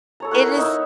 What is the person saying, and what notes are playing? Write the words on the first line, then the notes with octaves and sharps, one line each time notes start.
It is
A4 C#5 A#5
E4 A#4 C#5 F#5
D#4 E4 E5